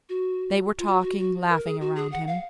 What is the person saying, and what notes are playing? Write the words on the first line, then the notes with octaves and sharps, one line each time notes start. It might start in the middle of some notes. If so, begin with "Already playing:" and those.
They were talking, laughing around him.
F#4
F4
F#4
F#4
F#4
A#4
G#4
F#4
G#4
F#5
F5